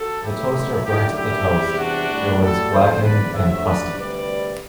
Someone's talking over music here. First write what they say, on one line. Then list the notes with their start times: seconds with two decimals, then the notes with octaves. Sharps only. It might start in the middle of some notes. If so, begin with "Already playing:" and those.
The toaster burnt the toast, it was blackened and crusty.
Already playing: F#4 A4
0.21 C2 B2 F#3 A3 E4 G4
0.84 F#2 D3 A3 E4 G4
1.15 E4 G4
1.47 E2 C3 G3
1.78 D4 F#4
2.09 A2 G3
2.40 F#4 A4
2.72 E2 D3 G3 A4 C5
3.03 B4 D5
3.34 G2 F#3 A3 C5 E5
3.65 B4 D5
3.97 D2 C3 G3 B4 D5